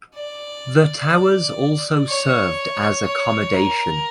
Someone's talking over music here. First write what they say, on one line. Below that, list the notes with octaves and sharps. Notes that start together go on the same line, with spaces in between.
The towers also served as accommodation.
D5
C#5
C#5
A#4